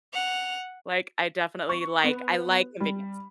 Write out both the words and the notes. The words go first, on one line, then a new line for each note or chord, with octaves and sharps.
Like I definitely like, I like convenience.
F#5 F7
C#6
B3
G3